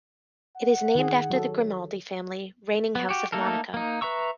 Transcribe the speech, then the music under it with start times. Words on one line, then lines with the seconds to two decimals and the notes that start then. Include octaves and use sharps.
It is named after the Grimaldi family, reigning house of Monaco.
0.57 F#5
0.95 D#3 G#4
1.30 F#3 A4
2.95 B3
3.09 F#4 G4
3.32 A3 A#3 D#4 A4 A#4
3.74 A#3 D#4
4.01 B4 E5 A#5 C#6 E6